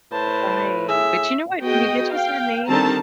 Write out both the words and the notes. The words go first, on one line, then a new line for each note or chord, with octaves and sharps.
Right but you know what? When you get to a certain age,
A2 B4 C5 A5
G#4 E5
B3 F#4 G#4 D#5 G5
F5 G5
D3 D#3 G3 C4 A5 A#5